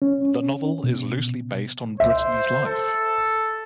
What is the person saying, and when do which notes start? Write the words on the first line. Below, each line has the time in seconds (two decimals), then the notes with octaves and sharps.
The novel is loosely based on Britney's life.
0.02 C#4
0.84 B2
2.00 C5 E5
2.66 A4